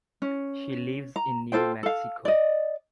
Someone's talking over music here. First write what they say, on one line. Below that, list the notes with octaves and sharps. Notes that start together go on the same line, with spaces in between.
She lives in New Mexico.
C#4
A#5
F4 A4 C5 G5
A4 F5
D5 D#5